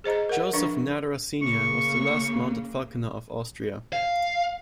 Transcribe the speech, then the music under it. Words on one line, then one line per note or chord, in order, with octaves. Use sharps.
Joseph Natterer Senior was the last mounted falconer of Austria.
G#4 C5 D#5 A#5
A#4 F#5
F3 D4 B4 E5 A#5 C#6
C#3 A#3 C#6
F5